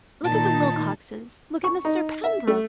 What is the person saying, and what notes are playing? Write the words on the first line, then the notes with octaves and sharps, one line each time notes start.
Look at the Wilcoxes, look at Mr. Pembroke.
A#2 D#3 D#4 A5
C#6
D#4
E5
A3